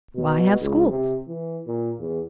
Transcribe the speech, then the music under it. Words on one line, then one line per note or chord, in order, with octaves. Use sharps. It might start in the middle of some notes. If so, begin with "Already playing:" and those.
"Why have schools?"
B2
C#2
C3
E3
A#2
E2